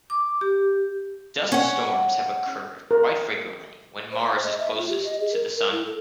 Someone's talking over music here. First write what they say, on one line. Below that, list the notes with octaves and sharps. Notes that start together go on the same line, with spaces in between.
Dust storms have occurred quite frequently when Mars is closest to the Sun.
D6
G4
C#4 F#5
A#4
C5
D#5
E5
F4
G4
D#5
G#4
A#4
A#4
E4
A4